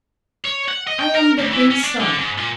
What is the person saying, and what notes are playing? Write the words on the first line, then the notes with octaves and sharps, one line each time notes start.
I'm the Queen's son.
C#5
F#5
D#5
G5
A#4
D2
E3
C#4
D4
D3
G#2
A#2